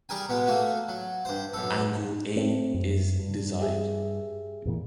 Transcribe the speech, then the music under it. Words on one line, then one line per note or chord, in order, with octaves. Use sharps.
Angle A is desired.
G3 G#4 A#4 G#5
B2 G#3 B3
A3 A#3 F#4
F#3
G2 C5
F#2 B2 A4
A3 C4
F#2
G2
G4 G#4 E5
E2 A#2 E3